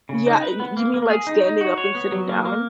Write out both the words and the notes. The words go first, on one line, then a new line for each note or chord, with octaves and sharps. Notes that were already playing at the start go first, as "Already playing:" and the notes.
Yeah, y you mean like standing up and sitting down?
C#3
D#4
B4
B3
A#3
A#3
G#4
D#4
D#4
F#4
C#5
B3
F#3
A#3
A#3